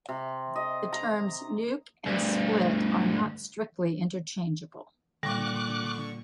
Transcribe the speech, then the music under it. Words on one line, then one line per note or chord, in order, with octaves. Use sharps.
The terms 'nuc' and 'split' are not strictly interchangeable.
C3
D#5
A#5
D2 G2
A#2 D3 G3 C#6 D6 F#6